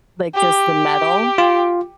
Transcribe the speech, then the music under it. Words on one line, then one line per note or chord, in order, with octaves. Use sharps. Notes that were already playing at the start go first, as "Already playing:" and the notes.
Like, just the metal
G4
F4